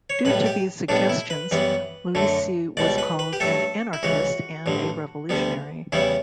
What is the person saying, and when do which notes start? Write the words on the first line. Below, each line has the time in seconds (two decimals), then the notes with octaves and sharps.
Due to these suggestions, Luisi was called an anarchist and a revolutionary.
0.10 C#5
0.25 B1 A2 G3 B4
0.46 G4
0.89 B1 A2 G3 B3 D4
1.09 E4
1.30 B4
1.51 F#2 E3 G3 B3
2.15 F#2 D3 A3
2.77 C#2 B2 G3 D5
2.98 B4
3.19 B4
3.33 G4
3.40 G2 F#3 A3 A4
3.93 E4
4.03 C#2 C#3 E3 F#4
4.66 A1 G2 D3
5.29 D2 D3 G3 B3
5.92 E2 C#3 G3 B3 E4